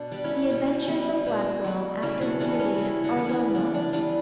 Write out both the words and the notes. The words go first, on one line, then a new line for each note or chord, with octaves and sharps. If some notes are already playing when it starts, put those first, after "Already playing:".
The adventures of Blackwell after his release are well known.
Already playing: B2 D4
G3 B3
C#4 E4
B2
G3 B3
B2
G3 B3
C#3 C#4 E4
D4 F#4
E3 G3 B3 F#4 A4
C#4
C#3 C#4 E4
D4 F#4
E3 G3 B3
C#4 E4
C#3 D4
D4
E3 G3 B3 D4